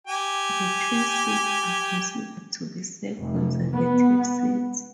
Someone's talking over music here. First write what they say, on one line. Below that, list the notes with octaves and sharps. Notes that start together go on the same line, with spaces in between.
The two seats are considered to be safe Conservative seats.
G4 G#5
F1
B3